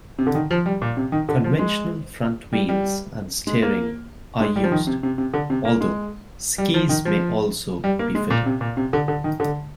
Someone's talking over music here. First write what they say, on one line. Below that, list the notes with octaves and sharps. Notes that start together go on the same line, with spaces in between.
Conventional front wheels and steering are used, although skis may also be fitted.
C3
D3
D#3
F3
G3
A#2
C3
D#3
D3
F3
G#3
G3
G3
G#3
A#3
G#3
G3
F3
D#3
C3
C3
C3
D3
C3
A#3
G#3
G3
F3
D#3
F3
G3
A#3
G#3
A#2
C3
A#2
C3
D3
D3
D#3
D3